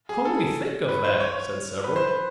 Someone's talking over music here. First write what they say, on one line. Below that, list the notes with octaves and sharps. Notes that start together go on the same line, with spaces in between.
"Only think of that!" said several.
G#4
A4
B4
C5
C#5
B4
C5
B4